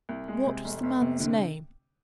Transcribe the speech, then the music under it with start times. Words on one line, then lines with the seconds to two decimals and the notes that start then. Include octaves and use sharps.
"What was the man's name?"
0.09 C2
0.28 G#3
0.46 C3
0.64 F1
0.83 F1
1.01 C3
1.20 D3